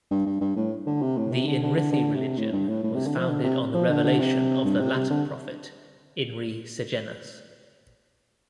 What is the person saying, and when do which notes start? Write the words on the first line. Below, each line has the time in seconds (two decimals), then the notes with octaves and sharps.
The Inrithi religion was founded on the revelation of the Latter Prophet, Inri Sejenus.
0.10 G2
0.26 G2
0.41 G2
0.56 A2
0.86 D3
1.01 C3
1.17 A2
1.32 C3
1.47 D3
1.63 D3
1.77 D3
1.92 D3
2.15 C3
2.38 A2
2.52 G2
2.68 A2
2.83 A2
2.95 C3
3.06 D3
3.17 F3
3.29 D3
3.44 C3
3.74 F3
3.89 D3
4.04 D3
4.19 C3
4.65 G2
4.80 C3
4.95 C3
5.10 D3